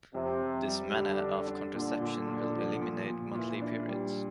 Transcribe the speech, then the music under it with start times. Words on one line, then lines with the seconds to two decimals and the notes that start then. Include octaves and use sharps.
This manner of contraception will eliminate monthly periods.
0.14 F2 C3
0.41 F2
0.68 G3
0.94 D3 G3
1.21 D4
1.47 D4
1.74 A#2 D3
2.01 A#2
2.28 A#2
2.55 F3
2.81 A#2
3.08 A#2
3.35 A#2 E3
3.62 D4
3.88 G3